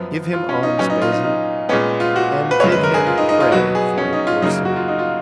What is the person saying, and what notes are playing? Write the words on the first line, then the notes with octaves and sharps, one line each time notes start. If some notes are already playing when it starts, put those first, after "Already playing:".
"Give him alms, Bazin, and bid him pray for a poor sinner."
Already playing: F#2 F3 B3
F4
C#4
D#4
A#2 F#3 B3 C#4
D#4
F4
D#4
D#4
A#2 G#3 B3 C#4
F4
F#4
B4
F#2 C#3 G#3 B3 C#5
B4
A#4
G#4
F4
D#4
D#4
F4
B2 F#3 B3 F#4
G#4
C#4
D#4
F4
F#2 C#3 F#3 A#3 D#4
F#4
F4
D#4
F4